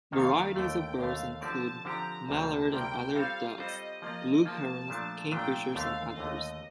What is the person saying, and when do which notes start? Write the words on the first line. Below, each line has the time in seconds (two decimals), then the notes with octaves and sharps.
Varieties of birds include mallard and other ducks, blue herons, kingfishers and others.
0.12 F2 D#3 A#3 D#4 A4 F5
0.56 D#2 D3 A3 G5
0.99 D#2 D3 A3 F5
1.42 D3 F3 C4 G4 D5 A5
1.85 D3 F3 C4 G4 D5 A#5
2.28 D2 C3 G3 A#3 A5
2.72 D2 C3 G3 A#3 G5
3.15 G3 C4 F4 A4 C5 F5
3.58 G3 C4 F4 A4 C5 D#5
4.02 F3 A#3 F4 D#5
4.45 F3 A#3 F4 A5
4.88 A#2 F3 A3 D4
5.32 A#2 F3 A3 D4 G5
5.75 D#2 D3 A3 F5
6.18 D#2 D3 A3 D#5